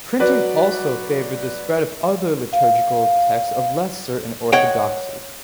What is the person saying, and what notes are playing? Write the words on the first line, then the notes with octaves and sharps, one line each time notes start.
Printing also favoured the spread of other liturgical texts of less certain orthodoxy.
F#3 F#4 B4 D5
F5
C#5 D#5 F#5 G5